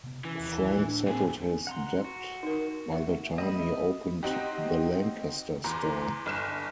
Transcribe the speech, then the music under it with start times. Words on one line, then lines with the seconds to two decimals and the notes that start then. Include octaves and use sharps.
Frank settled his debt by the time he opened the Lancaster store.
0.04 C3 B3
0.25 E3 C#4
0.39 D#2
0.70 A2
0.85 D4
1.08 A#2 C4 G#4
1.67 F#5 A#5 C6
2.05 F#4
2.43 D#4 A#4
2.92 E5
3.38 A3 D#5 E5 B5
4.23 C4 D#4 F#4 G4
5.64 E2 A#5 C6
6.26 G1 F6 E7